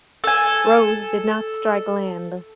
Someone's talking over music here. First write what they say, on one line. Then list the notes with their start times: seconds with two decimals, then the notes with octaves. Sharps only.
Rose did not strike land.
0.24 A4 G#5